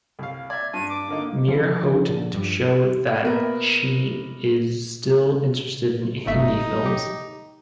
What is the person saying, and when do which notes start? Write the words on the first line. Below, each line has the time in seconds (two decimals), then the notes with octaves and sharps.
Mere Hote to show that she is still interested in Hindi films.
0.19 C2 F5
0.50 D5 E5 G#6
0.74 G2 D#7
0.90 D6
1.08 D3 A#3 D#4
1.48 E3 F3 C4 E4
2.09 A#2 D3 A5
2.34 G2 G4
3.24 B2 A#3 A#4 B4 E5
6.26 G1 A3 D#4 E5
6.86 G4